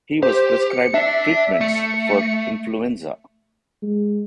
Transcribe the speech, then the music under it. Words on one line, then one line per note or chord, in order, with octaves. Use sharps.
He was prescribed treatments for influenza.
G4 C5
C#7
D4 D5 E5
A3 C#7
G#3